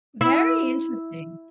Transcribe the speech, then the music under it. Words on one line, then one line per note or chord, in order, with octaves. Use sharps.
Very interesting.
E4